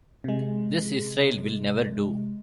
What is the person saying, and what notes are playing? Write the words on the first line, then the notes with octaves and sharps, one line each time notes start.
This Israel will never do.
C3 G#3